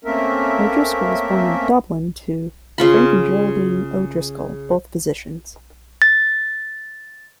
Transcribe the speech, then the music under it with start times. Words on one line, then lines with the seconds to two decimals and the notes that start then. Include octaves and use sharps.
O'Driscoll was born in Dublin to Frank and Geraldine O'Driscoll, both physicians.
0.05 A3 A#3 C4 C#4 A#4 E5
2.78 C#3 F4 B5
6.02 A6